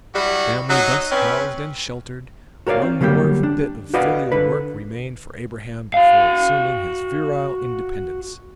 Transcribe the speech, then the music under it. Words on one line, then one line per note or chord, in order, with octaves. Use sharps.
The family thus housed and sheltered, one more bit of filial work remained for Abraham before assuming his virile independence.
F#3 G3 E4 F#4
F#3 D#4
C4 C#4 B4
F#4 A#4 C#5 D5 F5
C4
D3 F#3 G3 A#3 G4
D4
F#4 B4 D5 D#5 F5 F#5
D3 B4
F#4 F5